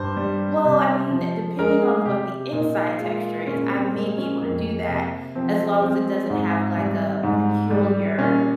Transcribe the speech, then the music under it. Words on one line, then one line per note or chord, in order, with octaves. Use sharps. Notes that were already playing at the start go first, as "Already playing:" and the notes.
"Well, I mean, depending on what the inside texture is, I may be able to do that as long as it doesn't have like a peculiar
Already playing: G2 C5
G3
C3
F3
G#3 A#4
G#4
C3 G4
A#2 D#4
G#3 F4
A#2 C#4
C4
G#3 A#3
C#4
F2 A#3
C3
F3 C4
G#3 C4
G#2
G3
G#2
G3
A#2 C#4